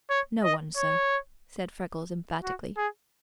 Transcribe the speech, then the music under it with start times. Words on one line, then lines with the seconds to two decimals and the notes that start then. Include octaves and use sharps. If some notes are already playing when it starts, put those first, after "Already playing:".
"No one, sir," said Freckles emphatically.
0.10 C#5
0.43 D#5
0.77 C#5
2.44 F#4
2.77 G#4